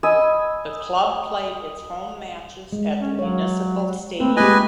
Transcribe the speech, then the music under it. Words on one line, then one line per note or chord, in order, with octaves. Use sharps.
The club played its home matches at the Municipal Stadium.
D#5 G#5 B5 E6
G#3
C#4
F#3 C#5 F5
A3 A#3 C4 B4
G#3 F4 G4 B4 D#5 G#5